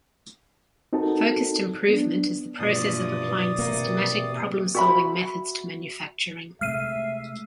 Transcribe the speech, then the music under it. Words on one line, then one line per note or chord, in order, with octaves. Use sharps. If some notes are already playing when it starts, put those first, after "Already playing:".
Focused Improvement is the process of applying systematic problem solving methods to manufacturing.
C4 D#4 F#4 A4 A#4 A5
B3 D4
G2 B2 E3 F3 A#3 D5 D#6
C3 A#3
F#4 E5 B5
C3 G#3 A3 E5 F6 C7 D#7